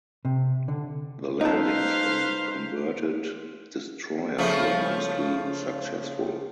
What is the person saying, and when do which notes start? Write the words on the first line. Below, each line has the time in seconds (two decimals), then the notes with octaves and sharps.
The landings from converted destroyers were mostly successful.
0.25 C3
0.68 D3
1.41 D#4 A4 B4 C5 F5
4.38 C#3 F3 A3